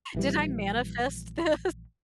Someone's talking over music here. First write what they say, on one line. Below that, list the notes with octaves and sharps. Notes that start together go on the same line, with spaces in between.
"Did I manifest this?"
A#1 E3 G3